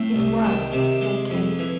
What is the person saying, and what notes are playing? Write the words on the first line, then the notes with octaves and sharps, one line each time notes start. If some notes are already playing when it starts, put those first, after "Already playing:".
"It was," said Kate.
Already playing: A2 C4
C2
D#3
C3
G#3
F2
E3